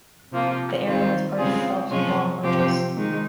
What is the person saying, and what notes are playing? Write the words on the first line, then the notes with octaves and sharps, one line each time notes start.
The area was part of the Phelps and Gorham Purchase.
C3 F3 A#3 F4
D#3 G3 C4 F4 C5
C#3 G#3 C4 F4 G#4
C3 F3 G#3 C#4 F4
C3 F3 C4 G4 C5
D#3 G#3 D#4